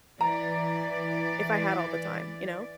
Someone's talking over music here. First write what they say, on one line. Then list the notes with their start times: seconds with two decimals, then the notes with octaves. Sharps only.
if I had all the time, you know?
0.21 E3 D5 A#5